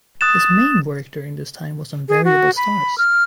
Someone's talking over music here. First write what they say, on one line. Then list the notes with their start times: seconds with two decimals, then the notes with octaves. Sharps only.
His main work during this time was on variable stars.
0.21 D#6 F#6 A6 E7
2.09 G#4
2.25 F#4
2.57 B5
2.98 F6